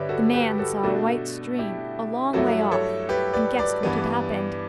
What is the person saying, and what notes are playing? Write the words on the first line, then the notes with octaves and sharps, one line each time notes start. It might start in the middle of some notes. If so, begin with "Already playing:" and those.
The man saw a white stream a long way off, and guessed what had happened.
Already playing: G2 D3 G3 B4 C#5 D5 E5
F#4 A4
G4 B4
F#4 A4
B2 A3 D4 F#4 A4
E4 G4
G2 F#3 A3 E4 F#4 A4
A4 C#5
G4 B4
B4 D5
B4 D5
G2 E3 B3